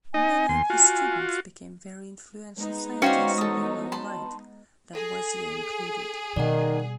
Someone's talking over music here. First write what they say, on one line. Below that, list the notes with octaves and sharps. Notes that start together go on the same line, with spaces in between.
Many of his students became very influential scientists in their own right, Lavoisier included.
D#4 D#5 G#5
D#2 C6
F4 F#4
G#3 B3 D#4
C#4 F#4 C5 D5 F5 G5
A4 D#6
A5 B5 C6
G#4 A4
B2 D#3 G3 D5 F#5